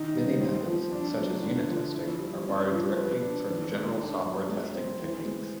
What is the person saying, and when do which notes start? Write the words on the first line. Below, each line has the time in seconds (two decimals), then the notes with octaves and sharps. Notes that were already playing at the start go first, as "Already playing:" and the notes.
Many methods, such as unit testing, are borrowed directly from general software testing techniques.
Already playing: D#3 D#4
0.15 G3
0.41 C4
0.66 F3
0.92 D4
1.17 F#3
1.43 D3
1.68 F3
1.94 E4
2.19 G3
2.46 C#4
2.71 F3
2.96 B4
3.21 D4
3.48 D#3
3.73 G#3
3.98 D4
4.25 F#3
4.49 G#3
4.75 C4
5.01 E3
5.26 G#3